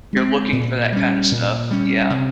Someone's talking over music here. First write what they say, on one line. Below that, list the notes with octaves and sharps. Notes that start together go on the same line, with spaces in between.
you're looking for that kinda stuff. Yeah.
G#3 C4
A#2
G3 C#4
A#2
G3 C#4
C3